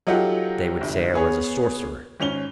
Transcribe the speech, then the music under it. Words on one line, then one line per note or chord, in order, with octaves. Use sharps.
'They would say I was a sorcerer.
F#3 D#4 F4 G4 A4 F#5
G1 C2
B3 G#4 C#5
G#1 C#4 F7 G7